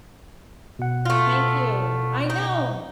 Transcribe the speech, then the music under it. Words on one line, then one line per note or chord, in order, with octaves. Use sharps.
Thank you, I know,
B2 F#5
A3 F4
D#4